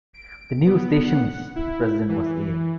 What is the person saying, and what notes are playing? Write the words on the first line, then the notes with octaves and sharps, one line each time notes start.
The new station's president was A.
D7
B3
F#5
E4
E3